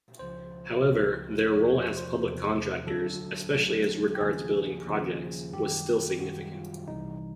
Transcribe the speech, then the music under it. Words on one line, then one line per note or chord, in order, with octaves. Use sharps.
However, their role as public contractors, especially as regards building projects, was still significant.
C#2 C#3 F3 C5
C#2 C#3 F3
E2 C3 F3 C#5
C5
C5
E2 C3 F3
D2 D3 F#3 A4
D2 D3 F#3
G4
D#2 C#3 F3 G#4
D#2 C#3 F3
F#2 D#3 G3 G4
F#2 D#3 G3 F#4
F4
C2 C3 E3 G3 D#4